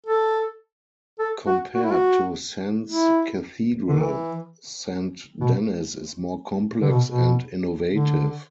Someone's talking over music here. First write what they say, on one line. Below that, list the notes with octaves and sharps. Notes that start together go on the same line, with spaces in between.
Compared to Sens Cathedral, St.-Denis is more complex and innovative.
A4
A4
F#4
F#4
E4
F#4
E4
D3
E3
B2
D3
B2
B2
D3